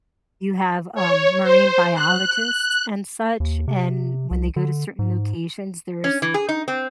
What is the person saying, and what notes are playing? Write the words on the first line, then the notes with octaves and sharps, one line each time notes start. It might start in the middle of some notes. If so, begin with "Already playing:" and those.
you have a marine biologists and such, and when they go to certain locations, there's
C#5
C5
F#6
D#2
C3
C2
D3
G#2
C#4
E3
G#4
D#4
C4